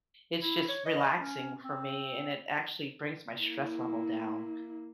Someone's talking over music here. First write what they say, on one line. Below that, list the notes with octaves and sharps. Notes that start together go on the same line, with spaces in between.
it's just relaxing for me and it actually brings my stress level down,
E4
C#5
D#5
C#4
C4
A#3 E4